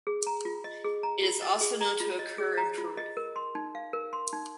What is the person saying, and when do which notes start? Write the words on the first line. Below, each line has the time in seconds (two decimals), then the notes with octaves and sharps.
It is also known to occur in Peru.
0.07 G#4
0.27 A#5
0.45 F4
0.64 D#5
0.84 G#4
1.03 A#5
1.23 F4
1.42 D#5
1.61 G#4
1.81 A#5
2.00 F4
2.19 D#5
2.38 G#4
2.58 A#5
2.78 F4
2.97 D#5
3.17 A#4
3.36 C6
3.55 D#4
3.75 F5
3.93 A#4
4.13 C6
4.33 D#4